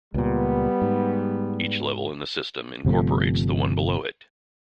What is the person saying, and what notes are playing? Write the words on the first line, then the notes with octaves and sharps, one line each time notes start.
Each level in the system incorporates the one below it.
C#2 A#2 G3 B3
G#2
G1 C3 F3 A3